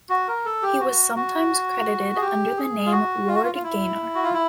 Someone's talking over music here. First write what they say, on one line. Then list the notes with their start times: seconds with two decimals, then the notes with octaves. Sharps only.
He was sometimes credited under the name Ward Gaynor.
0.09 F#4
0.28 A#4
0.45 A4
0.63 G4
0.81 F#4
1.16 F#4
2.16 G#4
2.22 G4
2.57 G#4
2.86 F4
2.92 F#4
3.28 F4
3.35 F#4
3.43 F4
3.55 F4
3.63 E4
4.15 F#4
4.24 F4
4.34 E4